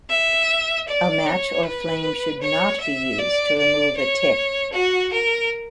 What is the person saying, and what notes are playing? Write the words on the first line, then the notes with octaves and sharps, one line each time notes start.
A match or flame should not be used to remove a tick.
E5
D5
C#5
B4
C#5
E5
D5
D5
C#5
F#4
A#4